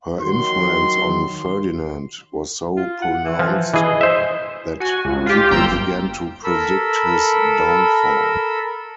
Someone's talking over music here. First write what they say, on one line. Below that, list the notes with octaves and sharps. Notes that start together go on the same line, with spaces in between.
Her influence on Ferdinand was so pronounced that people began to predict his downfall.
D#3 F#3 C6
F4
F#5
E3
F3
E3 G#4 D#5
C5 E5
F#4 G#5
C#2
F4 G4
G1 G5 A#5 C6 E6 E7
A4 A#4 B5 E6